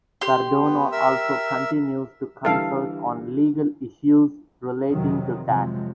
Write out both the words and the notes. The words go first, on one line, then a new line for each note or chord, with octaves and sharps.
Cardona also continues to consult on legal issues relating to tax.
G4 C6
B3
A#4 E5 E6
D3 E3 G3 A4 F5
F2 C3 D#3 F#3
C3 F3 F#3 G#3